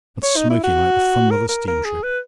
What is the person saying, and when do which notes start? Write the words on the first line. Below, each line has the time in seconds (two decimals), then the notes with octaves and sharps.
And smoking like the funnel of a steamship!
0.23 C#5
0.36 D#4
0.50 E4
0.64 F#4
1.31 A#4
1.49 A#4
1.68 A#4
1.85 G#4
2.03 B4